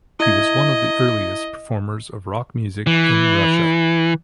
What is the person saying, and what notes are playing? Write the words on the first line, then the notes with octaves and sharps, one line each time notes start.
He was one of the earliest performers of rock music in Russia.
E4 D#5 G#6
E3